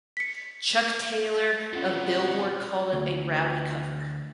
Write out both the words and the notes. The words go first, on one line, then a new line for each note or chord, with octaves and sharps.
Chuck Taylor of "Billboard" called it "a rowdy cover".
B6 C#7
F2 A#2 B3 C#4 F4 F#5
D2